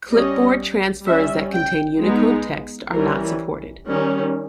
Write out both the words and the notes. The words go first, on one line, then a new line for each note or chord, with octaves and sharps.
Clipboard transfers that contain Unicode text are not supported.
G3 C#4 D#5
G3 C#4 E5
G5
G#3 B3 D#4
E3 G3 C#4 A#4
D#3 G3 C#4 A#4